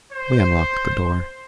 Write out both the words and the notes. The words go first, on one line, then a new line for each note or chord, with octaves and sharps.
We unlocked the door.
C5